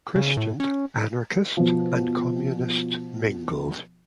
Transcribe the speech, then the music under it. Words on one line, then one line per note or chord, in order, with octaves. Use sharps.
Christians, anarchists and communists mingled.
C#3
A2
C#4
B2 F3